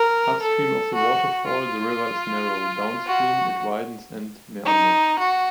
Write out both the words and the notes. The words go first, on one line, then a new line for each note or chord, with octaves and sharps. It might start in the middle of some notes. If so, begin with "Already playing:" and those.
Upstream of the waterfall, the river is narrow; downstream, it widens and meanders.
Already playing: A#4
A4
F#4
F4
F#4
D#4
F#4